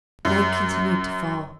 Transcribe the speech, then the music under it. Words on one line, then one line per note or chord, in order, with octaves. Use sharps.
Night continued to fall.
F#2